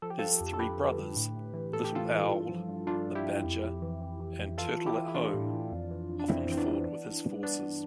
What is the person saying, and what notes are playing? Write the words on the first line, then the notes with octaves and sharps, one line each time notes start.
His three brothers, Little Owl, the Badger, and Turtle-at-Home, often fought with his forces.
F3 A4
G4
F3 F4 A4
F2
A4
D3 G4 B4
F2
D3
A2
A2
E3
A2 A4
G4
E3 F4 A4
E3
G2
F3
G2
G2 D4 F4
G2
E4 G4
F3
F2
F2
E3
E3
E3
F2
E3 F4 A4
E3
E4 G4
E3
E4
E3 D4 F4
A2
E3
F2
E3
F2
D4
F2 C4 E4
E3 C4
B3 D4
E3
E3
E3
G2
G2 B3 D4
E3